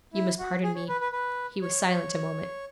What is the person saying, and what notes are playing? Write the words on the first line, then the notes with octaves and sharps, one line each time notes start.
You must pardon me.' He was silent a moment.
E4
F#4
G#4
C#5
B4
B4
B4
C#5